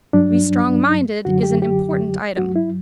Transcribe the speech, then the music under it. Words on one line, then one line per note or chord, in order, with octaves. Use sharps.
To be strong-minded is an important item.
G2 F#3 D4
F#2 D3 F#3 F#4
G4
G4
G2 F#3 F#4
E4